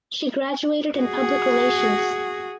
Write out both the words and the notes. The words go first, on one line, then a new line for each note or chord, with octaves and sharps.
She graduated in Public Relations.
F#4 G#4